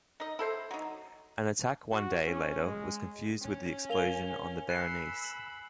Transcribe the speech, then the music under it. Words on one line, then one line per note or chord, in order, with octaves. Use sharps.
An attack one day later was confused with the explosion on the Berenice.
D#4 D#5
E4 A4 C5
F#3 D#4
F#4
C#4
G#3
C#4
A#4 F5 G#5 F7 G7
B5 E6 F#6 C7 C#7
F#7